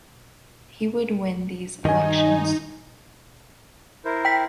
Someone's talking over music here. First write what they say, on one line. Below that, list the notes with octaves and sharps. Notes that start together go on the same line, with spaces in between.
He would win these elections.
G2 D#3 D#4 D#5 G#5
E4 A#4 C5
G5 B6